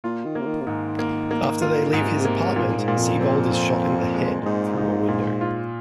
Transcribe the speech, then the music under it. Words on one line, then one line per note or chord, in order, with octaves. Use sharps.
After they leave his apartment, Siebold is shot in the head through a window.
A#2 F4
D#3
A#3
C3
D#3
C3
G#2 D#3
A#3
A#3
F4
G#2 D#3
C3
A#2
C3
A#3
F2 A#2
F2
G#2
A#2
F2
F2 C4
C4
C4
G#3
F2
G#2 D#4
D#4
A#2
F4